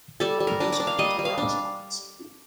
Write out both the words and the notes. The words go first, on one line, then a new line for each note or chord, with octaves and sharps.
They also produced Boraxo hand soap.
G3 A4
G3
A#4
D4
D5
D4
F5
G3 D#5
G3
F5
D4